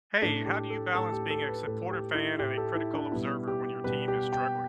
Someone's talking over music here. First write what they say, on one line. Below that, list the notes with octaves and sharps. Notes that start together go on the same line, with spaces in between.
Hey, how do you balance being a supportive fan and a critical observer when your team is struggling?
A2 A3 D4
G4
A4
A2 A3 A4
G4
A4
B4
A2 A3 A4
G4
E4
A2 A3 G4
A4
E4
D4
B2 G3 B3 E4
G4
B2 G3 B3 B4
G4
G5